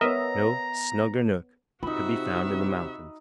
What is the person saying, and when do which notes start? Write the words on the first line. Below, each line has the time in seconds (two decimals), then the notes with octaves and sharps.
No snugger nook could be found in the mountains.
0.01 B3 A#4 C#5 D#5 E5 A#5
1.83 C3 D#4 F4 F#4 E5 B5